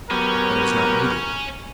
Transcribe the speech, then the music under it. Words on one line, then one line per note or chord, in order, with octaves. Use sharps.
But it was not needed.
F#3 B3 C#4 G4 A#4